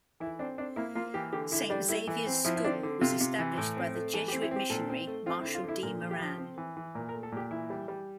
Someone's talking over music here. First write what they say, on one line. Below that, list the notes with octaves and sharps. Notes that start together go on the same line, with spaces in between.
Saint Xavier's School was established by the Jesuit missionary Marshall D. Moran.
E3 E4
C4 D4
C4 D4
A#3 E4
A#3 F4
E3 G4
D3 G4
D3 E4
G3 D4
A3 E4
E3 E4
C4
F3 E4
E4
C4 D4
D3
C3 F4
C3
E3
A2
C4
A3
E3 A4
G4
C4
E4
C4 G4
A#2 A4
C4
A3
C4 F4
E4
D3
F4
D3 E4
A#2 A#4
F3
G4
F3
C4
E3
E3
A#2 A#4
A#4
A3
A4
A#2 G4
E3 E4
G3
G3